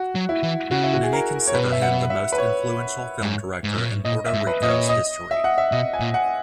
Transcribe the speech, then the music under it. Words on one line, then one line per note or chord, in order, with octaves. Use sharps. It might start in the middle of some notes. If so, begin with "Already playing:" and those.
Many consider him the most influential film director in Puerto Rico's history.
Already playing: F#4
F#3
E4
E3
C#3 F#4
E4
F#4
G#4
A#4
C#5
B2 B4
E5
F#5
E5
B4
C#5
G#2
G#2
A#2
G#2
A#2 D#5
E5
G#2
B4
A#2 D#5
C#5
D#5
E5
F#5
E5
B2 D#5
G#5
A#2
F#5